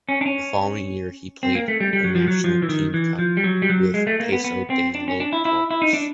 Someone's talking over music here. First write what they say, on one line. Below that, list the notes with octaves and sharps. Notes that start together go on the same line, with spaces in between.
The following year, he played the National Team Cup with Paso de los Toros.
C#4
D4
C#4
C4
A#3
A3
G3
G3
F#3
F3
F#3
F3
E3
D#3
E3
F3
G3
F#3
G3
F#3
G#3
A3
A#3
B3
B3
C4
D4
C#4
D4
E4
E4
E4
D#4
D4